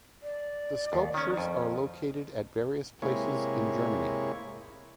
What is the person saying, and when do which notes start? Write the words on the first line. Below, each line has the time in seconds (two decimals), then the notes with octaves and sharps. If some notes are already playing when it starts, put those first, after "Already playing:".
The sculptures are located at various places in Germany.
0.23 D5
0.93 D#2
1.14 D#3 C#4
1.37 F2
3.02 C3 G#3 A#3 E4 C#5